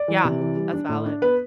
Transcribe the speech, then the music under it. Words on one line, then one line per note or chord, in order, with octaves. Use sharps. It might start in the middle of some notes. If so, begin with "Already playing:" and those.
Yeah, that's valid.
Already playing: D5
E3
C3
E3
G3
D4
A2
D4
B3 B4